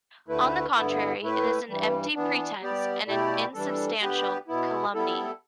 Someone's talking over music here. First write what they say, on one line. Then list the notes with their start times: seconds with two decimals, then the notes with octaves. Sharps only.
On the contrary it is an empty pretense and an insubstantial calumny.
0.28 D2 D3 A3 E4 B4
0.75 G2 D3 B3 E4
1.21 A2 A3 E4 B4
1.69 G2 E3 G3
2.14 E3 B3 D4
2.62 G3 B3 G4 D5
3.08 B2 A3 E4 G4 D5
3.54 E3 G3 D4 A4
4.01 D3 B3 G4 B4
4.48 B2 B3 E4
4.94 G3 B3 E4 A4